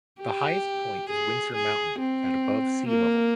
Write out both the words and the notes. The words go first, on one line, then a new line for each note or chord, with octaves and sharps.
The highest point is Windsor Mountain, at above sea level.
G4
G#4
G#4
C4
A#3